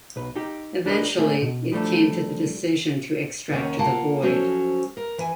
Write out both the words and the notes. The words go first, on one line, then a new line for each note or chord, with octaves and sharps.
Eventually it came to the decision to extract the Void.
B1 B4
D#4 G4
D4 G4 A#4 B4 C#5 D#5
A3 A#3 C4 G#4 E5
B2
F3 G3 A3 D4
D#2 D#3 C#4 F#5
A#3 F4 F5 F#5 A5
F3 F#3 C#4 F#4 A4 C5
A#4
E3 G#5